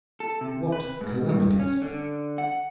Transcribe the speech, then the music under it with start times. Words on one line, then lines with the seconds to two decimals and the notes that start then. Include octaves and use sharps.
What calamities?
0.20 A4
0.41 C3
0.72 B4
1.01 G#2
1.29 G2
1.59 C#4
1.82 D3
2.38 F#5